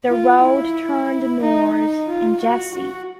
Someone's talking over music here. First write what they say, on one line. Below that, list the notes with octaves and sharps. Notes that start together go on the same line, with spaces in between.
The road turned north in Jessie.
F4
E4
D#4
D#4
F4
F#4
F#4